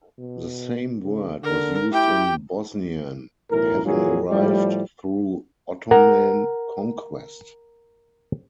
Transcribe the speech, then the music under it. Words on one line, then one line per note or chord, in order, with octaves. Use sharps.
The same word was used in Bosnian, having arrived through Ottoman conquest.
B2
C#3
D3 A#4
E4 G4 G5
B1 A2 E3 A#4
A#2 E3 F#3 F4 G#4
A2 F3 G3
A#4 F#5